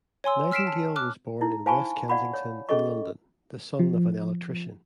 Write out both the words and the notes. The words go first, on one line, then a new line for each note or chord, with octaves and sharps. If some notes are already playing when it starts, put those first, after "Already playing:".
Nightingale was born in West Kensington, in London, the son of an electrician.
C#5 G#5 C6 E6
E6 F6 B6 C7 D7 E7
A5
D6 F6 F#6
D#4 E4
C5 F5 G#5 A5 B5 C#6
D5 F5 F#5 B5 C#6
C#5
C#4 G#4 A4 D#5 C#6
F3